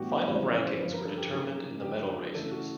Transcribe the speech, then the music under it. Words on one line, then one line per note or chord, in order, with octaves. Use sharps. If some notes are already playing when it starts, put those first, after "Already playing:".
Final rankings were determined in the medal races.
Already playing: A2 E3 G3 B3 D4 F#4 G4
G4
F2 C#3 E3 G#3 C5
C#5
C5
G2 D3 F3 B4
A#4
A4
G4
C#3 F#3 A#3 D#4 G4
D3 F#3 A#3 G4
C#3 E3 A3 A4
F#4